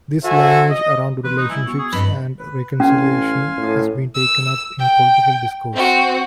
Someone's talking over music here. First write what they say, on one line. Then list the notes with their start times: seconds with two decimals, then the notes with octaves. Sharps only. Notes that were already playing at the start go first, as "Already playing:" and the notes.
This language around relationships and reconciliation has been taken up in political discourse.
0.24 F#4 A4 C5 E5 G#5
0.70 D#5
1.24 E3 A#3 B4 C6
1.37 D#4
1.50 G3 G#3 E4 G#5
1.67 B3 F#4 C#6 E6
1.78 G#4
1.92 G2 C4 D#5 B5
2.39 B4
2.80 A1 C#4 F5 G#5 C6
3.57 A2
4.14 E6
4.79 G5
5.73 C4 F#4